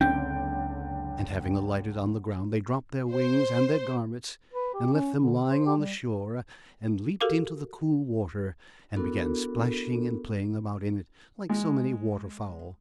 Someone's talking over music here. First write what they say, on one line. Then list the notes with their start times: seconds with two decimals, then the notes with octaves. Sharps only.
And having alighted on the ground they dropped their wings and their garments, and left them lying on the shore and leaped into the cool water, and began splashing and playing about in it, like so many waterfowl.
0.01 F#1 C#2 D3 C4 C#4 G5
3.12 C5
4.53 B4
4.74 G4
4.94 C#4
5.21 D3
5.50 C5
5.66 G4
5.78 G3
7.21 F#4 G4 A4 A#4 F5 D6
8.97 B3 D4 E4 F#4 A4 A#4
11.49 G#3